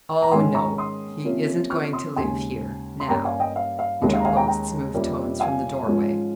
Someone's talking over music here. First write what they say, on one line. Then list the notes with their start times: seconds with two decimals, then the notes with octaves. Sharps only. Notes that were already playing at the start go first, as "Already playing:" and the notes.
"Oh, no, he isn't going to live here--now," interposed smooth tones from the doorway.
0.22 A#5
0.32 G#2 D#3 G#3 C#4 G#5 C6
0.55 A#5 C#6
0.78 C6 D#6
1.24 C3 F3 A#3 C#4
1.70 C#6 F6
1.93 C6 D#6
2.16 D#2 C#3 G#3 G#5 C6
3.00 C6
3.09 G2 G3 A#3 C#4 G5 A#5
3.25 F5 G#5
3.40 D#5 G5
3.56 F5
3.79 F5
4.01 D#2 D#3 G#3 C#4 D#5
4.13 F5
4.20 A#5
4.25 F5 G#5
4.36 G5 A#5
4.48 G5 A#5
4.94 F2 C3 G3 A#3 C#4
5.40 F5 G#5
5.86 G#2 F3 G#3 C#4